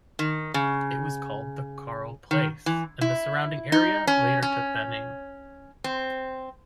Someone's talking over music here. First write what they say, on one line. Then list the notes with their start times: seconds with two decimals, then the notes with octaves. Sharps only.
It was called the "Carle Place", and the surrounding area later took the name.
0.19 D#3
0.54 C#3
2.31 D#3
2.66 E3
3.01 E4
3.72 D#4
4.07 C#4
4.42 C#4
5.84 C4